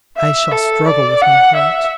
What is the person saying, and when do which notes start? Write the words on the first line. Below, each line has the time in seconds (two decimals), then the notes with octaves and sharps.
I shall struggle with my heart.
0.17 E5
0.52 A4
0.87 D5
1.22 F#5
1.56 E5